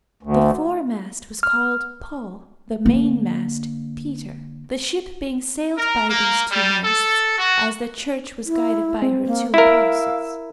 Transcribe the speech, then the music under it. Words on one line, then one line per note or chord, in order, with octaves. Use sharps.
The foremast was called Paul, the mainmast Peter--the ship being sailed by these two masts, as the Church was guided by her two apostles.
D2
F6
D3 A#3
A#4
A#3
G3
A4
F#4
E4
C4
A#3
E4 A#4 F5 E6